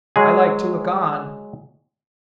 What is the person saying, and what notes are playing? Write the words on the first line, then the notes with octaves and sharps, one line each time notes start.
I like to look on.
F#3 G#3 G#4